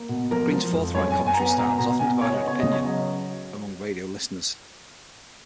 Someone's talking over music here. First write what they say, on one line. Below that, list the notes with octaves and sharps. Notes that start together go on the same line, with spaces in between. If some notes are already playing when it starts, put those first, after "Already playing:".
Green's forthright commentary style has often divided opinion among radio listeners.
Already playing: A#3
B2
F3 A#4
F3
F2
F#2 C#5
G#5
F#2
G#5
A#5
B3
G#5
B2 A#5
B2 A#5
B2 G#5
C#3 C#5
D#5
B3
C#5
C#3 D#5
C#5
F#3 D#5